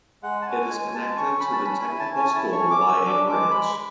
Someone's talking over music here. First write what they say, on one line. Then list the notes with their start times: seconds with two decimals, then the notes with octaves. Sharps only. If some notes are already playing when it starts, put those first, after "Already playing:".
It is connected to the Technical School by a bridge.
0.23 G#3 F#5
0.42 A5
0.47 C#4 G#5
0.70 G#3 G#5
0.94 G#3 A5
1.17 C#4 C#6
1.40 C#4 B5
1.52 A5
1.64 C#4 B5
1.82 G#5
1.88 E4
1.99 A5
2.11 C#4
2.17 G#5
2.35 E4 A5
2.53 C#6
2.59 C#4
2.70 D6
2.81 C#4
2.88 E6
3.05 D4 D6
3.28 G#3 D6
3.51 G#3 B5